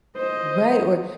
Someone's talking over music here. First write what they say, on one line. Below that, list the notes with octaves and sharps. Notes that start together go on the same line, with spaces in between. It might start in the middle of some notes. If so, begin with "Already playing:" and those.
Right, or
C5 D#5